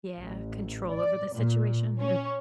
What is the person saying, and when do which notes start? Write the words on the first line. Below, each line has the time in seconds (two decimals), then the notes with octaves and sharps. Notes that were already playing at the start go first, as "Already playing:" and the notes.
yeah, control over the situation,
0.18 A1
0.91 D5
1.34 A#2
1.99 C#4